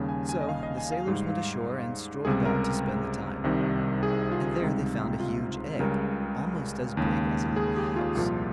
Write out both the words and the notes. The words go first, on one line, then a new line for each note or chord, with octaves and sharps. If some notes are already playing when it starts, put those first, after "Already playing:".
So the sailors went ashore and strolled about to spend the time, and there they found a huge egg, almost as big as a little house.
Already playing: D#2 C#3 G3
G#5
G#5
D#5
F5
D#5
G#5
F5
G#2 G3
C#2 C3 G3 G#4
A#4
A#4
C2 C3 D#3 G3
G#4
F4
C#2 C3 G3 D#4
F4
C#2 C#3 G3 A#4
D#2 C#3 G#3
G#4
G4
F4
C2 A#2 F3